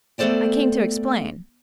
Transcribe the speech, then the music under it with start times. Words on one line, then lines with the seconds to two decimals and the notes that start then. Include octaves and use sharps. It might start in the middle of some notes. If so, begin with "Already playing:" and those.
I came to explain.'
0.18 A3 B3 A4 C5 D5 G5